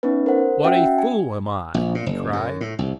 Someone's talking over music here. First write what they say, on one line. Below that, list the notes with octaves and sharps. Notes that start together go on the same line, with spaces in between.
"What a fool am I!" he cried.
B3 C#4 D#4 B4
A#4 C5 F#5
C#4 F#4 E5 F#5 G5
G#5
A#1
A#2
F#1
F#2
A2
C2